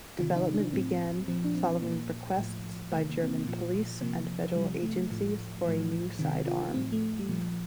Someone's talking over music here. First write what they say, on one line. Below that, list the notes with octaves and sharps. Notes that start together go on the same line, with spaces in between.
Development began following requests by German police and federal agencies for a new sidearm.
C3 D#3 F4
D#4
D4
A2 F3 C4
A#2 F3 C4
D4
C4
A#2 F3 A#3
A2 F3
C3 D#3 A3
A#3
C4
A#3
A#2 F3
C3 F3 A#3
C3 F3 G3
A3
A2 F3
A2 F3
C3 D#3
F4
A2 F3 C4
A3
G3
A#2 F3 A3